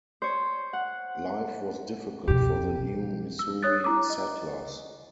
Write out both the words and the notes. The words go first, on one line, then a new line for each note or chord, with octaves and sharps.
Life was difficult for the new Missouri settlers.
C5 C#5
F#5
F2 B2 G4
E6
C#5 D#6 F#6 A6
E4 A#5 D6
D#5